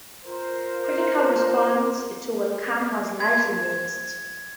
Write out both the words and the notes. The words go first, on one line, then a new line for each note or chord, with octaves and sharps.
Critical response to "Welcome" was largely mixed.
F4 A#4 C5
G#6